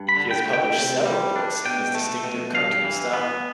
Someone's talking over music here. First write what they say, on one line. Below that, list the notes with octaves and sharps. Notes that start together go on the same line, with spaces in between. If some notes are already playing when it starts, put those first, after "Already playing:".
He has published several books in his distinctive cartoon style.
Already playing: G2
B5
D3
G5
A3
G5
C3
G3
D4
B2 G5
A3
B2
G2 F5
E3
B3